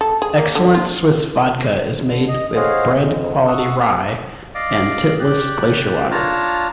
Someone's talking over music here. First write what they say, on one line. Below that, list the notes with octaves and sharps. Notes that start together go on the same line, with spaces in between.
Xellent Swiss vodka is made with bread quality rye and Titlis Glacier Water.
A4
G#4
A#3
D3
F4
D3
D#5
G#4 C5 C#5 D#5 F5 F#5
F2 G#2 G#3
F#5 C#6 D#6 E6
D5 D#5 F5 D6
G4 D5 F#6
D4 F4 C#5 A5 A#5